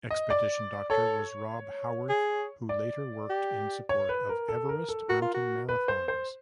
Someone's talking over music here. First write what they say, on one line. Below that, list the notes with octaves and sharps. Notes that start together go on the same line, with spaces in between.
Expedition doctor was Rob Howarth who later worked in support of Everest Mountain Marathons.
D#5
D5
A4 C#5
G#4
D5
G4
C#5
B4
A#4
A4
A#4
A4
F#4 A#4
F4
F#4
B4
C5
C5